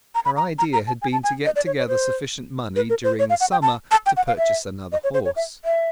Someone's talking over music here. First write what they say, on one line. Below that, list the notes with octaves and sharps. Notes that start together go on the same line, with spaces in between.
Her idea had been to get together sufficient money during the summer to purchase another horse.
A#5
B5
A#5
A#5
A#5
A5
G#5
A5
G#5
D#5
D5
C#5
C#5
C5
B4
A#4
C5
C#5
F5
F#5
G5
A5
A5
G5
F#5
F5
E5
D#5
C#5
C5
C#5
E5
E5